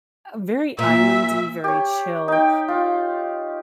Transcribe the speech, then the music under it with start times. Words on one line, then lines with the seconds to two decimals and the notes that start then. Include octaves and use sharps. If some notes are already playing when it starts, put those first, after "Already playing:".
uh, very island-y, very chill.
0.79 A#2 E5
1.64 G4 C#5
2.28 D#4 G5
2.68 F4